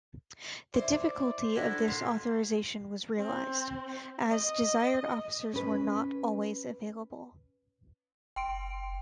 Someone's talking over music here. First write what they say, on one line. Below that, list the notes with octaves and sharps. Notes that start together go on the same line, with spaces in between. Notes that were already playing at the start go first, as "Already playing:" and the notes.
The difficulty of this authorisation was realised, as desired officers were not always available.
E4 C5 D5
C5
D4 E4 F#4 A4
A#2 C6
C4
D#5
C#4 B4
F#1 G5 C6 D7